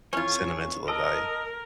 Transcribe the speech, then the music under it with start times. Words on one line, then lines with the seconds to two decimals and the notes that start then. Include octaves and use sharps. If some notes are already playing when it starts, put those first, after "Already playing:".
Sentimental of value.
0.13 F2 E3 C#4 F4 C#5
0.88 A#4 D#5 A5 E6 D7